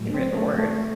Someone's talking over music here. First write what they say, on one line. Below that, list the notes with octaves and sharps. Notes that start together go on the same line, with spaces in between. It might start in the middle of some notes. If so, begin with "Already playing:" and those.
in written word.
Already playing: A2 F#3 G#3
C4
A3
A3